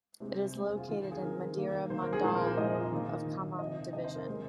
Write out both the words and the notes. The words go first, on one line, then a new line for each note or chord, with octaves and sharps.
It is located in Madhira mandal of Khammam division.
C3 G#3 C4
C3 G#3 C4
G#4
F4
D#3 C4 F4
F4
G#4
D#3 C4 A#4
D#3 A#3
D#3 A#3 C5
A#4
G#4
A#2 F3 G#3 C4 C5
A#4
C5
A#2 F3 G#3 C4 D#5
D#3 A#3
D#3 A#3
C3 D#3 C4 D#5
C3 D#3 C4 D#5
C5
A#4
C3 G#3 C4 C5